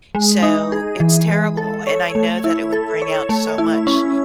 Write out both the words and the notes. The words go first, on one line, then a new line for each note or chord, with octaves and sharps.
So, it's terrible, and I know that it would bring out so much
G#3
D#4
G#4
E3
G#3
A4
C#5
A3
E4
A4
C#5
A3
E4
C#4